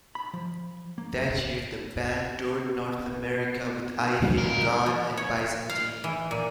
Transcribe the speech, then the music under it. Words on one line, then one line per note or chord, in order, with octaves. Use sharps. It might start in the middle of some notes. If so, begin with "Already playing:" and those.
That year the band toured North America with Eye-HateGod and Byzantine.
B5
F3
A#3
B3
C#2 A#4
F3
C#5
F5
E3
A#2